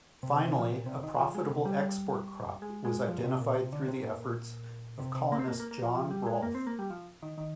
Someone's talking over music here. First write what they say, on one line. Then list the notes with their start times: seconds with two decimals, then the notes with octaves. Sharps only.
Finally, a profitable export crop was identified through the efforts of colonist John Rolfe.
0.23 C3
0.36 C3
0.47 C3
0.59 F3
0.71 A#2
0.86 C3
1.03 D#3
1.19 F3
1.35 G#3
1.50 C3
1.65 G3
2.62 G#3
2.85 G#3
3.08 F3
3.18 A#2
3.24 C3
3.41 A#2
3.56 C3
3.73 D3
3.88 C3
4.05 A#2
5.00 C3
5.15 C3
5.32 A#3
5.39 C4
5.48 A#3
5.60 A#3
5.71 A#3
5.82 F3
5.95 F3
6.11 G3
6.26 G#3
6.42 A#3
6.55 C4
6.67 A#3
6.79 G3
6.90 F3
7.23 D#3
7.38 D#3